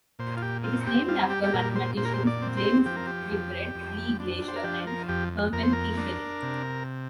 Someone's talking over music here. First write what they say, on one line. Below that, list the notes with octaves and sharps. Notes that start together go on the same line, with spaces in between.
It is named after mathematicians James Whitbread Lee Glaisher and Hermann Kinkelin.
A#2 C5
F4
G4
C4 F4
G4
G3 F4
G4
G4
A#2 A#4
C5
A#2 C5
A#4
C5
D5
C4
C5
F3 G4
A#4
G4
F2
F2
D4
C5
A#4
F3 G4
A#4
F2 G4
F2 A#4
C5
A#4
D4
C3